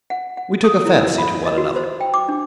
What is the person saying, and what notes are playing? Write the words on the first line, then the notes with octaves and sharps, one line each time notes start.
We took a fancy to one another.
F#5
F#5
D#6
E4
E6
B5
D#5
F#4
C5
G5
D6
D4